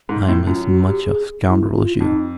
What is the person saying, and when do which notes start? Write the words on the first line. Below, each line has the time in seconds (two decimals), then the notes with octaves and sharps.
I am as much a scoundrel as you.
0.09 G#2 D#4
0.28 A2 E4
0.47 F#2 F4
0.66 F#4
0.86 G4
1.04 G#4
1.49 E4
1.74 F4
2.00 F2 D#4